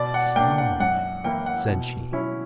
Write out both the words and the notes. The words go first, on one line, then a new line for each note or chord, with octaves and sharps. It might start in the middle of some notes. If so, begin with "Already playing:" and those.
"So!" said she.
Already playing: B2 D5
F#5
A#3 D4 G5
F#5
F#2 F#5
E3 A#3 E4 G5
F#5
B2
F#3 C#4 E4